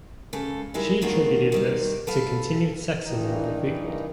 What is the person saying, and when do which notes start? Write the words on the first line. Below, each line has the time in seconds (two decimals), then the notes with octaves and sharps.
She attributed this to continued sexism in the field.
0.33 C#3 G#3 A4
0.74 G3 G#3 D#4 E4 A#4
1.02 G#2 D#3 A#3 D4 F4 F#4
1.52 D#3 G3 C4
2.07 A4 B4 F5
3.03 G2 D#3 E3 D#4